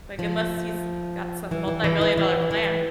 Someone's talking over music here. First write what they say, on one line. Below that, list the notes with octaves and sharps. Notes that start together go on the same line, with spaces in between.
like unless he's got some multi-million dollar plan.
F3
E3
E3
E3
E3
E3
E3